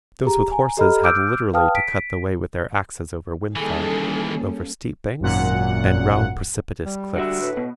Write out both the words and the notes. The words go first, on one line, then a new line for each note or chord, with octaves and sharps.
Those with horses had literally to cut the way with their axes over windfall, over steep banks, and round precipitous cliffs.
G4 G#4 A#5
G#5 A#5
G4 A4 D#5 A#5 B5 F6
D6 E6 F6 G6 D7
B4 F5 G5 A5 D#6 F6
B6 D7
D#3 E3 G3 A#3 C#4 G#4 A4
G#1 F#2 A#2 F#5
G3
D3 F#4 E5
A2 B4
B2